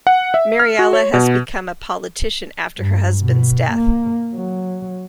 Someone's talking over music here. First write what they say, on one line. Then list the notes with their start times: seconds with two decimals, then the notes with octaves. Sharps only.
Mariella has become a politician after her husband's death.
0.07 F#5
0.34 E5
0.59 F6
0.79 F#4
0.93 C#5
1.14 B2
2.78 G2
3.20 B2
3.71 A#3
4.34 F#3